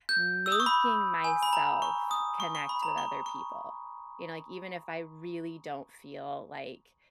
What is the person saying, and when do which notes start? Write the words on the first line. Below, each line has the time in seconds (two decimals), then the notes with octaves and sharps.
making myself connect with other people, you know, like, even if I really don't feel like
0.09 G6
0.46 E6
0.52 D#6
0.60 C#6
0.66 B5
1.24 G#5
1.43 B5
1.53 A#5
1.82 C#6
2.11 D#6
2.40 C#6
2.55 C#6
2.69 B5
2.83 A#5
2.98 C#6
3.26 C#6